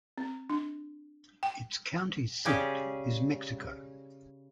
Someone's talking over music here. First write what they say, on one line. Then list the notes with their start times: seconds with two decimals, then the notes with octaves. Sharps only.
Its county seat is Mexico.
0.18 C4
0.50 D4
1.43 G5
2.45 C#3 C#4 G4 G#4 D5